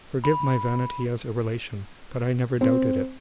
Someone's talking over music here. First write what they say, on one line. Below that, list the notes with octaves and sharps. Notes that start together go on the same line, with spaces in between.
Forgive my vanity as a relation, but I never doubted it.
B5
C4